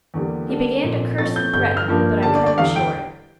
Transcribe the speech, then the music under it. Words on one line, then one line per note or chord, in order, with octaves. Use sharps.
He began to curse and threaten, but I cut him short.
E2 D3 G3 A#3
D3 G3 A#3 D4
A#2 F3 A3 C4
A2 F3 A3 C4 A6
G6
G2 D3 G3 G6
F6
G2 F3 A#3 D4
D3 G3 D4 A5
D5
D5
E2 D3 G3 F5
G5